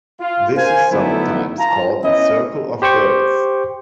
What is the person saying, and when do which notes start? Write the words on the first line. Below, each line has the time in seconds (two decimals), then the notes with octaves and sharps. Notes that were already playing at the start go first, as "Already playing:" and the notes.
This is sometimes called the "circle of thirds".
0.20 F4
0.56 A#4 C5 F5 G#5
0.92 D3 F#3 A3 B3 D#4 E4
1.58 F4 A5 A#5
2.03 B3 C#4 E4 D#5
2.82 G4 C5 G5 C#6